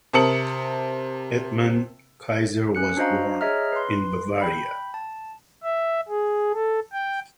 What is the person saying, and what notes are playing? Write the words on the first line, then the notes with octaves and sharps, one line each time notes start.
Edmund Kayser was born in Bavaria.
C3 A#4 A5 D#6 C#7 F#7
C#4 F#6 C#7
D4 F#4 C5 D#5 F5 A#5
G#4 C#5 D#5 E5 A#5 F6
B4 C6
G5 B5
A5
E5
G#4
A4
G5